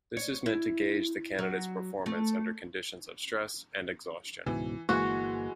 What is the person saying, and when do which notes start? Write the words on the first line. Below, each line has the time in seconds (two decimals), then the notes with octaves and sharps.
This is meant to gauge the candidate's performance under conditions of stress and exhaustion.
0.17 C#5
0.46 E4
1.39 F#3
2.06 A3
4.46 C#2 G#2 B2 E3
4.89 G1 E3 G#3 A#3 F#4